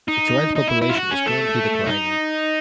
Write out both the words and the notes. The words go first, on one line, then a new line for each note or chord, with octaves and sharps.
Its wild population is currently declining.
D#4
D#4
E4
E4
F4
F#4
C#4
A3
D#4